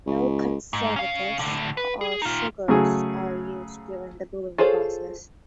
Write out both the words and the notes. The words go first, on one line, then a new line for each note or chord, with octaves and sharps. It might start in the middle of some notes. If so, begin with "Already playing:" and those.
No conservatives or sugars are used during the brewing process.
C#2
G#2
C#4 F5
A2 D3
B4
G#4
D#4 F4
C#3 F#3 A3 G#4
F4 G#4 A4 C5 C#5